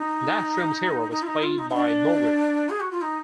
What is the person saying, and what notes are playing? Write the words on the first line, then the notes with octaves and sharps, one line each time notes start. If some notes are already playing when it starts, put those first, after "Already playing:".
That film's hero was played by Bogart.
Already playing: D#4
D#4
F4
D#4
F4
D#4
D#4
D4
G#4
F#4
F4
D#4